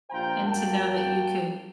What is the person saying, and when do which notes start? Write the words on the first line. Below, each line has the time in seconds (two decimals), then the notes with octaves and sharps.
and to know that you could
0.11 A#1 G2 F4 C5 G5 A#5
0.46 F#2 A#3 F#4 A#4 G5 A5